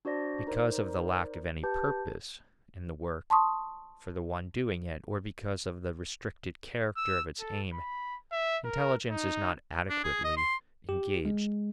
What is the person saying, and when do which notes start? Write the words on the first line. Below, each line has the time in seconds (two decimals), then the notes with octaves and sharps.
Because of the lack of any purpose in the work for the one doing it, or because of the restricted character of its aim, intelligence is not adequately engaged.
0.05 D4 F#4 C5 D5 A#6
0.47 D#4 A#4 C5 D5
1.63 G4 B4 A5 G6
3.30 A5 C6 C#6 D#6
6.97 E6
7.40 A4
7.73 B5
8.32 E5
8.65 A#4
9.10 D#4
9.90 D4
10.04 G#4
10.24 D#5
10.37 C6
10.89 G4
11.25 G#3